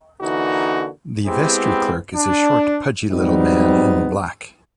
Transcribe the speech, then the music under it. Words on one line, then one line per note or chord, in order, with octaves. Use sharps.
The vestry-clerk is a short, pudgy little man, in black.
D3 E3 A#3 D#4 F#4
G#3 B3 C4 E4 G4
D4
G#2 F#3 G3 B3 C4 D#4